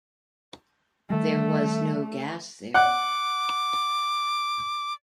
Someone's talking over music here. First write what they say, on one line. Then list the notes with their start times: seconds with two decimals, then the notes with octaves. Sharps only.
There was no gas there.
1.10 D#3 G3 A3
2.74 F#5 D6 F#6